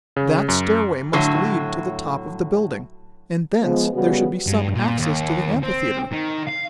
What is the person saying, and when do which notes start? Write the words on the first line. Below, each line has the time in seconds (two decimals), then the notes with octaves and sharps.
That stairway must lead to the top of the building, and thence there should be some access to the amphitheatre.
0.16 C#3
0.49 F#2
1.13 A2 D3 F#3
3.62 F3 G#3 B3
3.94 C#3 G3 B3 F#4
4.47 G2
4.75 A#2
4.98 D#2
5.63 C4
6.12 D#3
6.47 F5